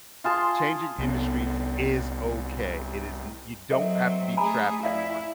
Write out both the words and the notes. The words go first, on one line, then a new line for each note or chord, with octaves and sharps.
changing industries is okay. It is n you don't have to be trapped in one.
F4 G#4 A5 C6
C2 B3
F#3 C4 A4 D#5 E5
A3 G#4 G#5 A#5 B5
E4 D5 E5 F5